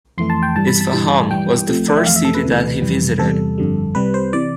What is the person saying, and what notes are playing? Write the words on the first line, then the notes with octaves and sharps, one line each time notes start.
Isfahan was the first city that he visited.
F2 E3 A3 C6
A5
G5
G2 E3 G3 A5
B5
A5
G2 E3 G3
G2 E3 G3 G5
C2 C3 F3 A3
D5
E5
F2 E3 A3 F5
E5
A4
B4
D2 C3 E3 A3
F2 C3 E3 G3
E2 C3 G3 A4
G1 F2 D3 G3
C2 C3 G3 B4
C5
C3 E3 D5